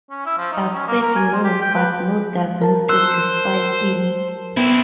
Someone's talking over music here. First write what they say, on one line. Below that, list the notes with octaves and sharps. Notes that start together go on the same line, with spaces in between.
I've said no, but no doesn't satisfy him.
C#4
E4
F3
D#4
C#4
A#3
A#4
G#5
C5
G4
G5
B4
A#4 A5
C5 E6 F#6
B3 C4 E4